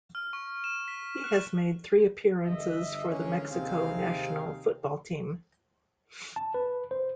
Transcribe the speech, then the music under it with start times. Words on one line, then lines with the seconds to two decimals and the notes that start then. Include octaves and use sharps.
He has made three appearances for the Mexico national football team.
0.15 F6
0.33 C#6
0.64 E7
0.88 B6
1.24 F#6
2.44 G1 D#5 E5
3.09 D3 E3 G#3 A#3 C#4
3.51 D#2 C3 C4 D#4 G#4 F5
6.36 A5
6.54 B4
6.91 C5